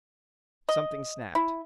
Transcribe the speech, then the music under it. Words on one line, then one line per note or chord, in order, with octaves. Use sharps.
Something snapped.
D#5
E4